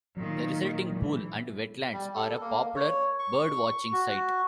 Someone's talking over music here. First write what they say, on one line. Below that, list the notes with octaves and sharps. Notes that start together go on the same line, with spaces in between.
The resulting pool and wetlands are a popular birdwatching site.
A#2 D#3 F#3 A3
B2 E3 F#3 G#3
G3
A4
A#3
C#5
C#6
F#4